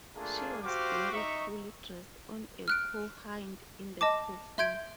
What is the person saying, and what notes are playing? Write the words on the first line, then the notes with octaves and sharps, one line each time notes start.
She was buried fully dressed on a cowhide in the coffin.
A3 A#3 D4 F4 G#4
F#4 G4 C5 F5 D6
D#4 E5 C#6
F6 F#6 D7
D#5 A5 D6
E5 C6 G6 G#6 D7